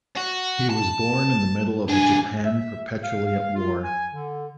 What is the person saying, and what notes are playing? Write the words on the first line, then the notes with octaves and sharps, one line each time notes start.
He was born in the middle of a Japan perpetually at war.
F#4
A5
B1 D4 G#5
E5
F5
F5
F4
G#5
D3